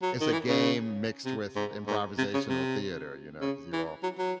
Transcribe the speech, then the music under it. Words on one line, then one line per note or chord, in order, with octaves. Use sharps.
it's a game mixed with improvisational theater, you know, 'cause you all
F#3
D#3
E3
C#3
C3
G#2
G#2
C3
C#3
C3
C#3
E3
F#3
F#3